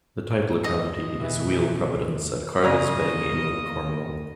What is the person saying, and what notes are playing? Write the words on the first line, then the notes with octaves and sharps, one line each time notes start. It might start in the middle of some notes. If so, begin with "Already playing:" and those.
The type locality is Wheal Providence at Carbis Bay in Cornwall.
D#5
B2 E3
C#3 A#3 F4 D5 D#5